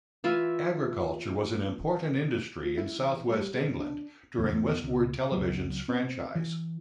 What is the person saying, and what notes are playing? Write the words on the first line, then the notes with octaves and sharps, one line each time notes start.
Agriculture was an important industry in South West England during Westward Television's franchise.
E3 F4 E5 G#5
F3
E4
E3
G3
G#3
F#2
D4
E2 C#3
E2
C#2
C#2 F#3
C4
E3